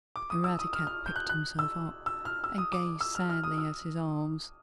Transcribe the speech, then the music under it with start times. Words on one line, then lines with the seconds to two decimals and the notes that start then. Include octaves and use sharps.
Eradicate picked himself up, and gazed sadly at his arms.
0.16 D6
0.30 D#6
0.44 E6
0.59 D#6
0.73 F6
0.87 F6
1.06 G6
1.16 F#6
1.29 F#6
1.59 E6
2.06 E6
2.25 F6
2.44 E6
2.58 D#6
2.73 D6
3.01 E6
3.15 F6
3.30 F6
3.44 D#6
3.58 E6